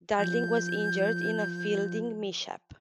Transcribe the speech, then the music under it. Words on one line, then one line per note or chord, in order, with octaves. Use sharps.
Darling was injured in a fielding mishap.
F3 G6